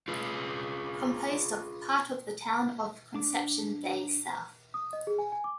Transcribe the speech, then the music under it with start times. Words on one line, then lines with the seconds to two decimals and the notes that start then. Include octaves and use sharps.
Composed of part of the town of Conception Bay South.
0.08 F4 G#4 B4
3.14 D4 D6
4.74 D#6
4.93 D#5
5.07 G#4
5.18 G#5
5.32 G#5
5.44 D6